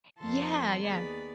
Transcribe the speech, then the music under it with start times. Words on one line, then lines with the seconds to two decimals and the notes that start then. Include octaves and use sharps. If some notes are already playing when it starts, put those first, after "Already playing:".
Yeah, yeah.
0.18 F2 F3 A#3 A4 C6
0.82 D#2 B3 G#4 D5 B5